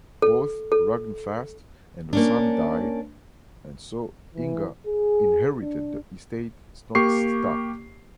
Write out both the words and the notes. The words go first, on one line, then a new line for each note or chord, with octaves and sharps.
Both Ragnfast and the son died and so Inga inherited the estate Snottsta.
A4
A4
A#3 C#4 D4
E3
G#4
D4
A#3 G4 C#6 C7